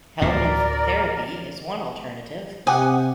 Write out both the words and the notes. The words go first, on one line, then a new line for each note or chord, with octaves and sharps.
Helminth therapy is one alternative.
D2 A2 A#4 D5
C3 C4 G4 F#5 G#5 D#6